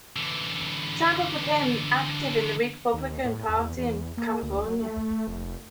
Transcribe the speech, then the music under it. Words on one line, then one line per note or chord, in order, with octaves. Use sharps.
Temple became active in the Republican Party in California.
D3 E3
D#2
A2
E2
E2
A#3
D2
F#3
A3
F1